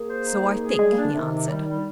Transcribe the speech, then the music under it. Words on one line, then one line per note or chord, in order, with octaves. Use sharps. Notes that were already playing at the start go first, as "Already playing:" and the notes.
'So I think,' he answered.
Already playing: A#3 G#4
C5
D#4
G#4
G#4
G3 G#3
A#3
D4
D3
C3 D#3
C3
G3
G3